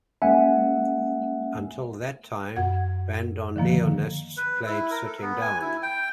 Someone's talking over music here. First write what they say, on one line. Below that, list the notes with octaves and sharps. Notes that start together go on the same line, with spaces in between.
Until that time bandoneonists played sitting down.
G#3 A#3 C#4 E5 F#5 G#5
F#2 F#5 G#6
D3 D#3 F3 A#3
B4
E4
A#4
A4
B3
G#5
E4
G5